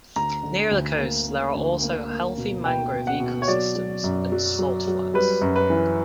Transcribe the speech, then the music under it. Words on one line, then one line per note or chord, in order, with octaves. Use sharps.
Nearer the coast there are also healthy mangrove ecosystems and salt flats.
D2 A#5
D3
D2
A#3
A#3
D2
A#3
A#3
B2
B2 G5
B2
F#5
B2
C#5
F#3 D5
F#3
F#2
F#3
F#3
F#3
G3 B4
F#2
B4
E3